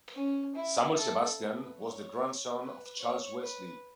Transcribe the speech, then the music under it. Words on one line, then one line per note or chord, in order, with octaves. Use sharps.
Samuel Sebastian was the grandson of Charles Wesley.
C#4
E4
A4
B4
C#5
B4
C#5
B4